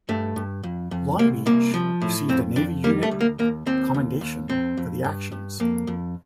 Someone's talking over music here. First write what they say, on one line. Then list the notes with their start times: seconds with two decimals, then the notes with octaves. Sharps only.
"Long Beach" received a Navy Unit Commendation for the actions.
0.09 G2 A3
0.36 G2
0.63 F2
0.91 F2
1.19 C2 A#3
1.46 C2 A#3
1.74 F3
2.02 A2
2.29 F2 C4
2.56 F2 D4
2.84 G3 A#3
3.03 A3
3.11 D2
3.21 A#3
3.39 D#2 A#3
3.66 D#2 C4
3.94 D#2
4.21 D#2
4.49 F2 C4
4.77 F2
5.04 G2
5.32 G2
5.60 F2 A#3
5.87 F2